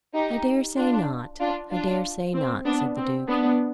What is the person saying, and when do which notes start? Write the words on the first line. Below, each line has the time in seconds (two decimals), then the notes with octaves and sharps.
"I dare say not; I dare say not," said the Duke.
0.14 D#4 G4
0.77 D4 F4
1.40 D4 F4
1.71 D4 F4
2.34 C4
2.65 B3 D4
2.96 C4
3.28 B3 D4